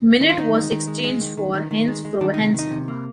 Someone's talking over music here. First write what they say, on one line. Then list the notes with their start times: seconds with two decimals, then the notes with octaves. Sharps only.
Minute was exchanged for Hans Fróði Hansen.
0.21 D#3 D#4
0.30 F4
0.37 D#3 D#4
0.54 G#3
0.71 D#3
0.88 G#3
1.04 G#3
1.21 D#3
1.37 D#3
1.54 D#3
1.71 D#3
1.88 G#3
2.05 G#3
2.21 D#3 D4
2.34 D#4
2.38 C3
2.54 D#3 D#4
2.71 C3
2.88 A#3